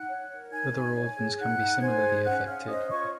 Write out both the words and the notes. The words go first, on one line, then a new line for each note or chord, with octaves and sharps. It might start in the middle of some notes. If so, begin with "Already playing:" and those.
Other organs can be similarly affected.
Already playing: D#4 F#5 F#6
C#5
A#4
D#4 G#5 G#6
D#4
C#5
G#4
D#4 F#5 F#6
D#4
C5 G#5 G#6
G#4
C#4 F#5 F#6
C#4 F5 F6
C5 D#5 D#6
F4 C#5 C#6